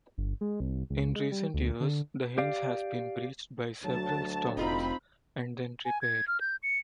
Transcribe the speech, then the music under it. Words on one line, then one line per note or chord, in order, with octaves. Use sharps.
In recent years The Hinge has been breached by several storms and then repaired.
G1
G#3
C2
C#2
G#3
G3
D2
D3
G4 D5 F5
D2 F#3 A5
F1 C4 D#4 F4 A#5 B5
G#5
G#6
F6
G6
C#7